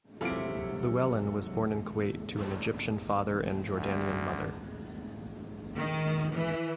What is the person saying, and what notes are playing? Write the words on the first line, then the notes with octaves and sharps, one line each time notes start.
Llewellyn was born in Kuwait to an Egyptian father and Jordanian mother.
C3 E3 F#3 E4 F4 A4 D7
D2
D#3
E3